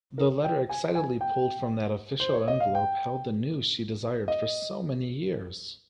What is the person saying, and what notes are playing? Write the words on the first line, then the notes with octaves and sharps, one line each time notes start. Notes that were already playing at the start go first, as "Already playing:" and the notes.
The letter excitedly pulled from that official envelope held the news she desired for so many years.
A#4
G5
G#5
G#5
G5
C5
C#5
D#5
F5
G5
D#5